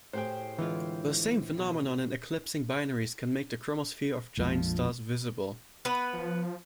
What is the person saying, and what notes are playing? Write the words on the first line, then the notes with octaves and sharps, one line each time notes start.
The same phenomenon in eclipsing binaries can make the chromosphere of giant stars visible.
A2 G4 G#4 C5 G5
D3 E3 G#3 F4
B2
A#1 F2 F3 G#3
B3 B4
F3